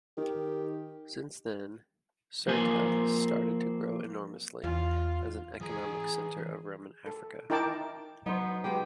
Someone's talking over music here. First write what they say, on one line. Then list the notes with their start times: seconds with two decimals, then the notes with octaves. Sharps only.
Since then Cirta started to grow enormously as an economic center of Roman Africa.
0.18 D#3 G4
2.47 F3 A#3 C4 G#5
4.64 E2 F4
5.61 E3 G#4 A#5
7.06 A4
7.50 D#4 E4 A#4 G5 A5 D6
8.26 F#3 B3 D#4 C5
8.64 F#3 G#3 B3 G4 G5